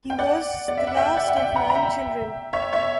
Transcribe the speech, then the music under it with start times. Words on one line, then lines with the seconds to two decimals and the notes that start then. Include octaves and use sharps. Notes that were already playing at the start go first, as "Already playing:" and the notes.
He was the last of nine children.
0.10 G5
0.19 D5 F#5
0.68 D5
0.77 E5
0.87 F#5
0.97 E5 G5
1.17 D5 F#5
1.28 F#5
1.36 E5 G5
1.56 F#5 A#5
1.70 A#5
1.75 E5 G5
2.53 C#5 E5
2.73 C#5 E5